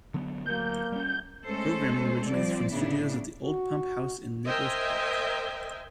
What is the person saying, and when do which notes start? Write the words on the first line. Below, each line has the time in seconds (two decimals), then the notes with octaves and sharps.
Programming originates from studios at the Old Pump House in Knebworth Park.
0.14 D3 F#3 B3
0.46 D2 F#3 A#3 G6
0.92 G3 C#4
1.46 G#3 A3 C#4 A4 C5
2.28 F3 G3 C4 D5
2.72 A2 C#3 F#3 B3 D4 E4
3.44 F#4
4.46 A#4 C5 D#5 E5 G5 G#5